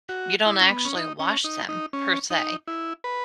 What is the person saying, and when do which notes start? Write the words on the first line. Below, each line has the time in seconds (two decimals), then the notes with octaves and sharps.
you don't actually wash them per se,
0.09 F#4
0.46 E4
0.60 C#4
0.71 B3
0.85 C#4
0.96 D#4
1.20 C#4
1.44 D#4
1.69 D#4
1.93 C#4
2.31 D#4
2.68 E4
3.04 B4